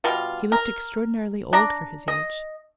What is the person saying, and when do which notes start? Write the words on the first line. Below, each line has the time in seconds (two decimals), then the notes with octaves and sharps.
He looked extraordinarily old for his age.
0.04 B2 G3 F4
0.52 A#4
1.53 D4 D5 A#5
2.08 D#5